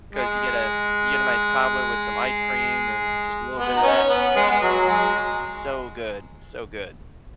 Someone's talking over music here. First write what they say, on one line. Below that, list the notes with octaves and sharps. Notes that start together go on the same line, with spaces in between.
'cause you get a you get a nice cobbler with some ice cream and just a little bit of that. It's so it's it's so good, so good.
G#3
B3
D#4
C#4
B3
G#3
G#3
F#3
G#3